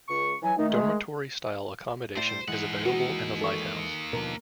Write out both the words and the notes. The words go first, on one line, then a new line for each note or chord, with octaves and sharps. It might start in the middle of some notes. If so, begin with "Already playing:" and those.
Dormitory-style accommodation is available in the lighthouse.
C#2 C#6
E3 F#3 G#5
D#3 A3 D#4
G#3
A2 A3 C5 D5
E3 G#3 D#4 F#5
A#3 D#4 F#4
A4 C#6
B2 D3 F3 A#4